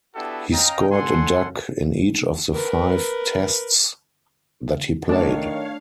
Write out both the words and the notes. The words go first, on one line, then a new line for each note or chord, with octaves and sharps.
He scored a duck in each of the five Tests that he played.
B3 D4 E4 F#4 G4 A4
C#4 D#5 F5 G5 A#5
D4 A4 F#5 G#5 C6
A#4 B4
D#3 A3 D4 C#5 F5 A5